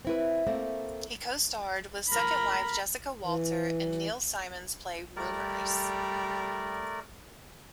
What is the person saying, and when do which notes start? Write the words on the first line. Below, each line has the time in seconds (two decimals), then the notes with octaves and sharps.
He co-starred with second wife Jessica Walter in Neil Simon's play "Rumors".
0.05 C4 E4 B4
0.47 A3 A#3 C4
2.10 A#4 B5
3.24 E3
5.16 G3 A3 A#4 D5